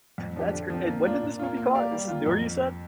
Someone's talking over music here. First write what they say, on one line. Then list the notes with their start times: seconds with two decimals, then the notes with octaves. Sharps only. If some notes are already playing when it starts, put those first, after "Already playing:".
that's cr and when did this movie come out? This is newer you said?
0.18 F2
0.36 F3 D4 G4
0.53 D3
0.70 F3 C4
0.87 A#3
1.05 D4 F4
1.22 A#2
1.39 A#3 F4
1.57 A#3
1.75 G4 D5 F5
1.92 G3
2.08 A#3 F4
2.26 F2